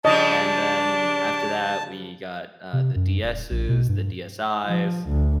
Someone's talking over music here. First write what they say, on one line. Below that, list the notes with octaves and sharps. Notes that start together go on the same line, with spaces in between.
And then, after that, we got, uh, the DS's, the DSIs,
C#3 F3 G3 D4 D#5 A5
C3
F#2
D#1
A#1
B2
G2
F3
D2